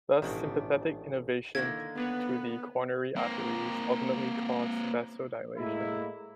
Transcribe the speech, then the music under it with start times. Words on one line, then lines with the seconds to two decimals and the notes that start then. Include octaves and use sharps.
Thus sympathetic innervation to the coronary arteries ultimately causes vasodilation.
0.22 A1 G#2 B2 D#3 D4 E5
1.55 D3 D#3 A#3 E4 G#6
1.98 B3 D4 B4 C#5
3.16 A#3 C4
5.57 A2 G#3 A#3 E4